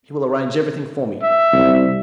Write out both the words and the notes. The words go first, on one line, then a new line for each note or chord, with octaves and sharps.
He will arrange everything for me.
E5
C2